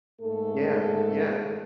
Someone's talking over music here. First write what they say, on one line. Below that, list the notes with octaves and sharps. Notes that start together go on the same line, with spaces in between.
Yeah, yeah,
G#2 A3 A#3 G#4 A4